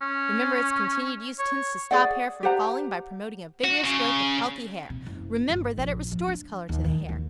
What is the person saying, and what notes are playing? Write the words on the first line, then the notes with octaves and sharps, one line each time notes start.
Remember its continued use tends to stop hair from falling by promoting a vigorous growth of healthy hair. Remember that it restores color to the hair.
C#4
C#5
G#4 D5 F#5
G4 C5 F#5 A#5
F#4
C#3
C3
F#1
G1
A#1
F3
D4
D#2
D#3
D#2